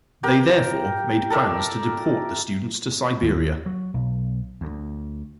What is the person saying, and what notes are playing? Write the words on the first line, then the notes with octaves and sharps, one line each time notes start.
They therefore made plans to deport the students to Siberia.
G4 A#4 G5
A4 A#4 D5 E5
D#2
F#3
B1
D2